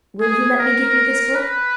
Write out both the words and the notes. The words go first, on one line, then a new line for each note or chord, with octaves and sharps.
Will you let me give you this book?
G#4
A#4
B4